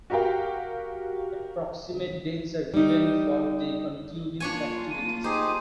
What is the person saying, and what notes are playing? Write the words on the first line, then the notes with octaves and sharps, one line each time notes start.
Approximate dates are given for the concluding festivities.
F#4 G4 A#4 F5 G5
G3 D#4
F#3 A#3 D4 F4 C#5 G#5
D#7
D#4 G4 G#4 C5